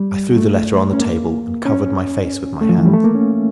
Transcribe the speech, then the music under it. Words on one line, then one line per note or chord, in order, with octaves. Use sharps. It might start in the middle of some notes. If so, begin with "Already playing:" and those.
I threw the letter on the table, and covered my face with my hands.
Already playing: G3
A3
C#4
A#3
C#4
A3
F3
E3
G3
A3
A#3
C#4